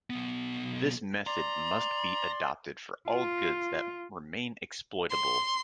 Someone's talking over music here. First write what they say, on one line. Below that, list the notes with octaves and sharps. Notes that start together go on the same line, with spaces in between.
This method must be adopted for all goods that remain exploitable...
B1 B3
D5 A#5 C6
F4
C6